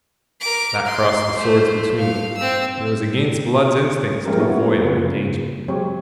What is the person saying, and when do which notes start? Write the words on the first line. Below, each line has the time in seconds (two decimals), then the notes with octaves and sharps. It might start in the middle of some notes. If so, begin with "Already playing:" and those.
That crossed the swords between them, and it was against Blood's instincts to avoid an engagement.
0.41 A#4 D6
0.86 C6
1.37 A3 C5
1.97 F5
2.37 C4 E6
3.68 C#5
4.25 F3 G#3 A#3 C#4 G4 A#4
4.37 G3 B3 D4 E4 C#5
4.84 C#3 A#3 C4 C#4 F4 B4
5.68 F#3 G#3 C4 G4 C#5